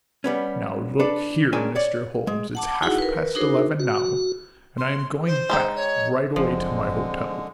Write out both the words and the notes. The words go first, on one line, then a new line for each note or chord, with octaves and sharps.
Now, look here, Mr. Holmes, it's half-past eleven now and I am going back right away to my hotel.
G3 B3 C#4
D4 A4 B4
G#3 C#4 D4 A#4 G5 G#5
C#5 D5
G#3
F#5 A5 D6
D#4 E4 F#4 G#4 F#5
A#4 B4
D4 D#4 F#4 G#4 A#4 C5
F#4
C6
C5
G#3 D#4 G5
C#5
F#1 D3 F3 G#3 C4